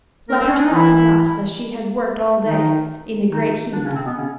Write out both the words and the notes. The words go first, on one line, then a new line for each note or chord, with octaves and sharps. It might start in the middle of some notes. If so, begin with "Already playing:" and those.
Let her sup with us, as she has worked all day in the great heat.
A#3 A#4
C4
C#4
D4
D#4
E3 E4
D#3 D#4
D#3 D#4
D3 D4
C#3 C#4
C3 C4
B2 B3
C#3 C#4